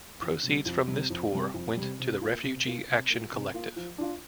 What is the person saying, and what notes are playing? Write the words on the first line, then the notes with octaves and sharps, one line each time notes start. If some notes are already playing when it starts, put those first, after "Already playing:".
Proceeds from this tour went to the Refugee Action Collective.
F2
C3 G3
F2
C3 G3
F2
C3 G3
F2
C3 G3
C3
A#3 F4
C3
A#3 F4
C3
A#3 F4
C3
A#3 F4
F3
D4 F4